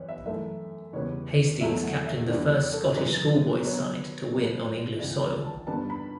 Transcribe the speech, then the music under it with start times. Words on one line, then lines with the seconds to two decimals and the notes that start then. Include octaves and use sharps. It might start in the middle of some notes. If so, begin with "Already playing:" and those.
Hastings captained the first Scottish schoolboys' side to win on English soil.
Already playing: F#2 E3 G3 B3 B4 C#5
0.09 E5
0.26 F#2 E3 A3 E5
0.93 E2 C#3 G3 B3 C#5
1.61 E2 B2 F#3 A3 E5
1.83 F#5
2.06 E5
2.29 E2 D3 G3 B3 D5
2.51 C#5
2.73 A4
2.96 F#2 C#3 E3 B4
3.64 B2 F#3 B3 C#5
4.32 B2 F#3 B3
4.99 C#2 C#3 E3 D5
5.22 D5
5.45 A5
5.67 G2 D3 G3 B3 A5
5.90 B5